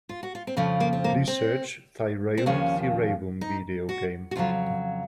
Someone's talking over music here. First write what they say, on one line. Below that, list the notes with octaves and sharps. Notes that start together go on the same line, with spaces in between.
Please search Thirayum Theeravum video game.
F4
F#4
F4
C4
F2 C#3 F3 C#4
A#3
C4
A#3
C4
C4
D#2 C#3 F3 C#4
D#4
F#4
F#4
F2 C#3 F#3 F4